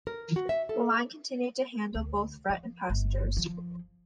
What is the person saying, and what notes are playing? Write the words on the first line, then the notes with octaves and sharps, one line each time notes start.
The line continued to handle both freight and passengers.
A#4
F#4
E5
A4
D2
F3
G1
F3